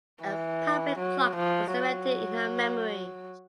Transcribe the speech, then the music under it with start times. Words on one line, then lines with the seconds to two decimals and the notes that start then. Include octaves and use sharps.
A public clock was erected in her memory.
0.24 E3
0.99 F#3
1.36 F3
1.75 F#3